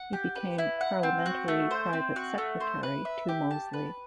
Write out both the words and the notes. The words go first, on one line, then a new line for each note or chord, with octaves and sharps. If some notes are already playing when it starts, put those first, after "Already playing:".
He became Parliamentary Private Secretary to Mosley.
Already playing: F#5
G4
B4
E4
F#5
C4
F#4
A3
C5
C4
F#4
A3
C5
B4
E5
G4
A5
B4